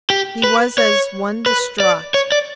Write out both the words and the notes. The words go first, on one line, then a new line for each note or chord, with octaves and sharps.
He was as one distraught.
G4
B4
C#5
B4
D5
C#5
D5